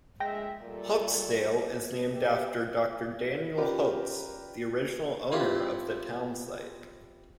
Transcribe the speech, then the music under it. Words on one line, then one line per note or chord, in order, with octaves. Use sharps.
Houtzdale is named after Doctor Daniel Houtz, the original owner of the town site.
A#1 A2 G#3 E5 G5 A#6
A#2 G3 A3 A4
E4 G4 D#5 E5
C#4 F4 G4 A#4 B4 D5
C4 E4 F4 G4